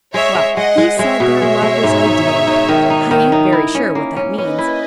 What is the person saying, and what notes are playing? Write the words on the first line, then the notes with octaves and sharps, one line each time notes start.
Well, he said their love was idyllic, I ain't very sure what that means.
G#3 C#5 E5
G#3
G#3 D#5 F#5
G#3
G#3 C#5 E5
B2
G#3
G#3
G#2
D#4
D#4
D#4
D#3
D#4
D#3
D#4
E4
C#4
A#3
C#4
C#4 B4 D#5
E4